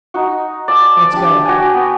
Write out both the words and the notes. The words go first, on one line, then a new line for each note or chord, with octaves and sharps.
"Let's go!"
D#4 F#4
D5 A5 E6
D6
D4 G4
F#4 G5 G#5
B3